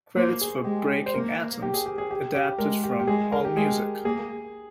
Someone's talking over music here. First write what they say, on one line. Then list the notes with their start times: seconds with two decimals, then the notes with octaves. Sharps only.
Credits for "Breaking Atoms" adapted from Allmusic.
0.16 A#3 C5
0.41 G#4
0.64 G#3 G4
1.06 C5
1.14 A#3 A#4
1.62 G4
1.74 G#4
1.86 G4
1.98 G#4
2.11 G4
2.35 G4
2.59 G#3 A#4
2.84 G4
3.00 G4
3.07 G#3 G#4
3.32 A#4
3.45 G4
3.56 G#3 G#4
4.04 A#3 G#4